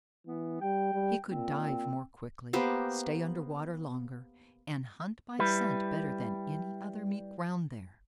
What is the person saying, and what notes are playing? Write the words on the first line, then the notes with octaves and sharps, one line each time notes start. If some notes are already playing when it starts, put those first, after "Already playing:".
He could dive more quickly, stay under water longer, and hunt by scent better than any other Mink round there.
E3 B3
G3 G5
G3
A#2 C4
A#3 B3 G4 C5
G3 E4 B4